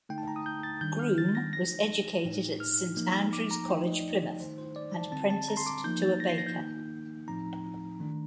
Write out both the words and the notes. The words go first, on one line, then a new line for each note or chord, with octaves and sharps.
Groom was educated at Saint Andrew's College, Plymouth and apprenticed to a baker.
D3 A3 D#4 G5
A5
A#5
D#6
G6
A6
D#3 G3 D4 G6
F6
A6
A#6
F3 A3 D#4 A#6
A2 A3 D#4
F6
F3 A#3 D#4
D6
A#5
F3 A3 D#4 G5
D#5
D5
D#3 A3 D#4 C5
C5
D5
A5
D3 G3 C4 A5
A5
A#5
C6
D6
F3 A#3 D#4 G6
A6
A#6
C7
A#6
G6
D#3 A#3 D#4
A2 F3 A3 C4 D#4 A#5
D#3 A3 D4